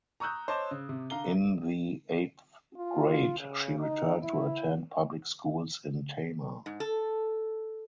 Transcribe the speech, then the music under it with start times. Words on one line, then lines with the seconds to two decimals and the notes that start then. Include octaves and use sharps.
In the eighth grade she returned to attend public schools in Tama.
0.20 A#5 C#6 D#6 E6 F#6 G6
0.48 C5 C#5 D#5 A5 D6
0.71 C#3
0.89 C3
1.10 D3 F5 A#5 G7
2.76 F4
3.39 C#3
3.80 D#4
4.23 E4
6.66 G#2
6.80 A4